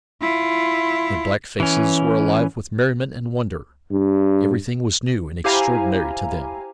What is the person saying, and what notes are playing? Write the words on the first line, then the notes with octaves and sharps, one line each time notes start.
Their black faces were alive with merriment and wonder--everything was new and extraordinary to them.
E4 F4
E3 C#4
G2
E4 G4 C5 F5 G#5 A#5